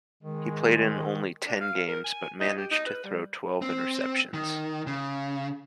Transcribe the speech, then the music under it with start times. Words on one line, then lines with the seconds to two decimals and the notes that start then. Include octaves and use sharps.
He played in only ten games but managed to throw twelve interceptions.
0.23 D#3 G#3
1.47 D4
1.61 F5
1.88 A#4
2.04 G#5
2.40 D#4
2.58 G4
2.71 D#4
2.87 B4
3.04 G3
3.62 C4
4.34 D#3
4.87 C#3